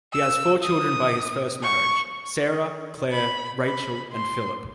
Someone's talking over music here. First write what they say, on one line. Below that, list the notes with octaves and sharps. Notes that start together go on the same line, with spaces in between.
He has four children by his first marriage, Sarah, Claire, Rachel and Philip.
E6
D#6
C#6
B5
B5
C6